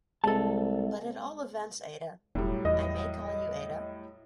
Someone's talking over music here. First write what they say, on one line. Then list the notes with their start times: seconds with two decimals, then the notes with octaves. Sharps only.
But at all events, Ada — I may call you Ada?
0.24 C2 G#3 C4 A4 A5
2.35 E1 A2 F#3 G3
2.65 E2 D#5